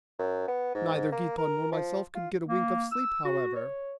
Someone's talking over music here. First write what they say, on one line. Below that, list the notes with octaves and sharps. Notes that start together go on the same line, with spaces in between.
Neither Giton nor myself could get a wink of sleep, however.
F#2
B3
G#2
A#3
A#4
F3
F4
A#3
E6
F#4
C#5